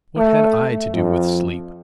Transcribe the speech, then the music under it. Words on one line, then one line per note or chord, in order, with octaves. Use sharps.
What had I to do with sleep?
A3
F2